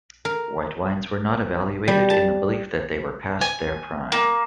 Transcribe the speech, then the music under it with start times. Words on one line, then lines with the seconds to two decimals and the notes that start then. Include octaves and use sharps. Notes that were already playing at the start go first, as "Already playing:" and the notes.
White wines were not evaluated in the belief that they were past their prime.
0.25 A#4
1.88 G3
2.10 A5
3.41 G#5
4.12 A#3